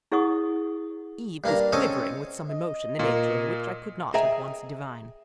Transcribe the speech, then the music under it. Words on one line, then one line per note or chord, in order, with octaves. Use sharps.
Eve was quivering with some emotion the nature of which I could not at once divine.
E4 G#4 D#5 F#5 C#6 D#6
G2 A#3 D4 A#5
C4 C#4 G#4 A4 D#5 A5
D#5
A#2 A#3
G#4 D#5 E5 G5 G#5 A#5